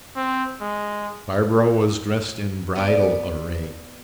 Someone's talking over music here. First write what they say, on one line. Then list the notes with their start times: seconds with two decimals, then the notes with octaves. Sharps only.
Barbara was dressed in bridal array.
0.16 C4
0.61 G#3
2.76 B3 D5